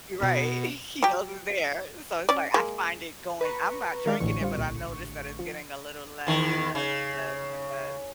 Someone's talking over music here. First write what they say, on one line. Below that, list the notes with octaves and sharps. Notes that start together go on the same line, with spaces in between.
Right. He knows it's there. So it's like, I find it going I'm not drinking it, but I noticed that it's getting a little less and less, less and less.
B2
F#3 G4
C#4 D5
G#3 A#3
B4 A#5 C#6
D#3 G#3 D4 A#4 F5 D6
A1 A2 D3 E3 C#6
G3 C4 F4
C2 A#2
F3
E2 D#3
C#3